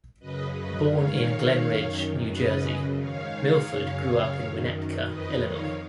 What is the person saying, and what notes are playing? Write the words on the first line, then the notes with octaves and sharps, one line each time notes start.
Born in Glen Ridge, New Jersey, Milford grew up in Winnetka, Illinois.
F#2 C#3 B4 D#5
B4 D#5
G#2 D#3 C#5 F5
F#2 D#3
F#2 C#3 B4 D#5
G#2 D#3 C#5 F5
F#2 C#3
F#2 D#3
F2 D#3 B4 D#5
C#5 F5